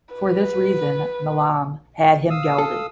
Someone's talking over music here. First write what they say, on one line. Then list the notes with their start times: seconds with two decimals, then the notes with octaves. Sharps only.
For this reason, Milam had him gelded.
0.15 B4
2.30 F5 D#6 E6
2.58 A4